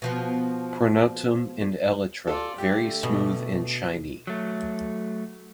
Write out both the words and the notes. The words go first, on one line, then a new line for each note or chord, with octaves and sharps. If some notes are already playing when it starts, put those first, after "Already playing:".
Pronotum and elytra very smooth and shiny.
B2 F3 B3
F4 A4 D5
D3 A3 G4
B2
F#3 A3